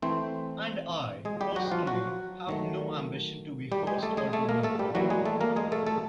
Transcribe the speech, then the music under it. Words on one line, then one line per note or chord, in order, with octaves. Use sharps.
And I, personally, have no ambition to be first or to be important.
E3 A3 C4 C5
G#3 G#4
G3 G4
F#3 F#4
F3 F4
F#3 F#4
D#3 F#3 A3
G3 G4
G#3 G#4
A3 A4
G#3 G#4
A3 A4
A#3 A#4
A3 A4
G3 G4
E3 F#3 G3 A#3 F#4
G#3 G#4
A3 A4
A#3 A#4
G#3 G#4
A3 A4
A3 A4